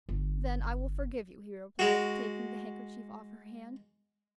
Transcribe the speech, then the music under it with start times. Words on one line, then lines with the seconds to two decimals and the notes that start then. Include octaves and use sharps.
"Then I will forgive you," he replied, taking the handkerchief off her hand.
0.09 G1
1.79 G#3 F#4